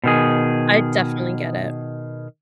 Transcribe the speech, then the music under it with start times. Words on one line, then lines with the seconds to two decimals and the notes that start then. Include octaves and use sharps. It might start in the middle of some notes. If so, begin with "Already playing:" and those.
I definitely get it.
0.04 B2 D#3 G#4